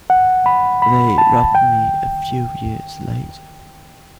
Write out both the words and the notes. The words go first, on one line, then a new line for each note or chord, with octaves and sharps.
They robbed me a few years later.
F#5
B5
B5
A5
G5